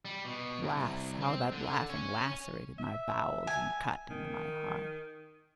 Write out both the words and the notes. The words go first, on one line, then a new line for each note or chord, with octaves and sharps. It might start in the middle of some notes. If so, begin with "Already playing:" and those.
Alas, how that laughing lacerated my bowels and cut into my heart!
G3
B2
C2
C4
D3
C#5 G#5
E5
G#5
D#3